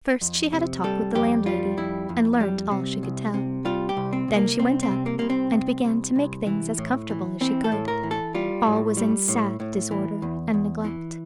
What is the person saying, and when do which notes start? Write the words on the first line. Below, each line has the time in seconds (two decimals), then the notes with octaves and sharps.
First she had a talk with the landlady, and learned all she could tell. Then she went up, and began to make things as comfortable as she could: all was in sad disorder and neglect.
0.21 F2
0.53 C3
0.84 G3 A4
1.15 F2 G4
1.46 G3 F4
1.77 F2 E4
2.09 F2
2.40 G3
2.71 C3
3.03 C2
3.34 C3
3.65 G3 F4
3.89 G4
3.97 C2
4.13 C4
4.28 C2
4.36 A#3
4.59 C2 C4
4.83 C4
4.91 C3
5.06 A#3
5.19 C2 A#3
5.30 C4
5.53 C2
5.85 C2
6.16 C2
6.47 E3
6.78 A2
7.10 E3
7.41 E3 C4
7.64 A4
7.72 A2
7.88 A#4
8.03 E3
8.11 A4
8.35 G3 F4
8.66 A2
8.97 G3
9.28 A2
9.60 A2
9.91 E3
10.22 E2
10.54 E2
10.84 E3